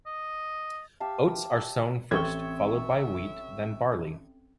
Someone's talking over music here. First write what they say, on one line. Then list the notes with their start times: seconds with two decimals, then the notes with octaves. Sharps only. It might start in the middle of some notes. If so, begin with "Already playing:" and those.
Oats are sown first, followed by wheat, then barley.
0.06 D#5
1.00 G4 E5 F5 A5
2.11 A1 C4 A4 E5 G5 C#6 G#6